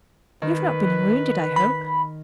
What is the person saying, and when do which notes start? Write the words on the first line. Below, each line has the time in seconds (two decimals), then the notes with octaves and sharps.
"You have not been wounded, I hope?"
0.42 D#3 B4
1.56 B5